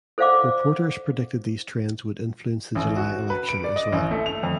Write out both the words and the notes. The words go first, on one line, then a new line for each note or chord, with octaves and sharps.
Reporters predicted these trends would influence the July election as well.
A4 C5 D5 F5 F#5 D6
A1
F#4
B4
D7
D5
D#5
A1
A3
F7
F2